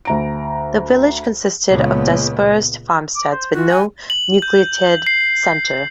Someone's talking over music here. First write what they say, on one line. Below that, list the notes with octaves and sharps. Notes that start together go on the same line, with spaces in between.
The village consisted of dispersed farmsteads, with no nucleated centre.
D2 A#5 D7
C#2 A#2 B3
D6
C5
F4 F#4
G#5
F#7
G6
C7